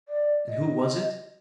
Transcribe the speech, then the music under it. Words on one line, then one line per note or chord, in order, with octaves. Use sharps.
And who was it?
D5
D#5